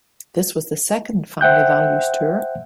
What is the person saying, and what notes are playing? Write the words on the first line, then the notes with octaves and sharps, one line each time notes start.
This was the second Family Values Tour.
C5 E5 F#5 G5 F#6 G6